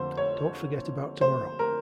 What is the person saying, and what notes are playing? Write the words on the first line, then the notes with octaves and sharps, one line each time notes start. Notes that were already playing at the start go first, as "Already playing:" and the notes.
Don't forget about tomorrow.
Already playing: F2 D3 F3 A#3 C5
C#5
C5
A#4